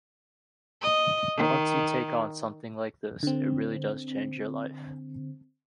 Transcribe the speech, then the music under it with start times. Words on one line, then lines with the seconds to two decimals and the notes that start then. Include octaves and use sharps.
Once you take on something like this, it really does change your life.
0.82 D#5
1.36 D#3
3.23 D3 C4